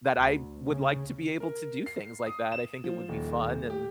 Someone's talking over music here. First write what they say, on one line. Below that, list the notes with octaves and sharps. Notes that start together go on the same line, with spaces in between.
that I would like to be able to do things like that. I think it would be fun, and,
D2
C#3
A#4
C7
D#6
E7
F3
D#1
G4